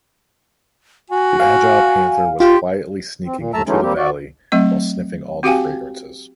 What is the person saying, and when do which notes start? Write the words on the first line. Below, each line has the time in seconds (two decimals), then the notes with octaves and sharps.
The agile panther was quietly sneaking into the valley while sniffing all the fragrances.
1.10 F#4 G#5
1.40 F5 G#5
2.40 F4 G4 C6
3.26 C4
3.39 A#2
3.54 D#2 A3 E5 A5 A#5 E6
3.67 E3 F#3 G#3 A3 C#4 D#4
3.83 G3 A#3 C4 G4
3.98 F#4 D5
4.52 F#3 A3 C4 D#5
5.43 C4 F#4 G4 F5 G5 G#5